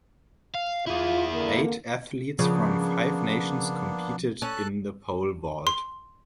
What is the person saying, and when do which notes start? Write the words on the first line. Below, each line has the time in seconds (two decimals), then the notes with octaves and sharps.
Eight athletes from five nations competed in the pole vault.
0.54 F5
0.87 E4 F4 G#4
1.32 D3 A#3
2.39 C#3 F3 A#3 B3 D4
4.42 C#4 A4 A5 F#6
5.67 C6